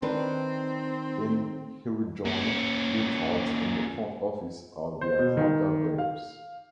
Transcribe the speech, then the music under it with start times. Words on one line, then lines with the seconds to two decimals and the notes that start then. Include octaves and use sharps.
In he rejoined Richards in the front office of the Atlanta Braves.
0.02 D#3 C4 D4 B4
2.25 A#2 C#4
5.01 C5
5.19 B2
5.37 D#3
5.98 F5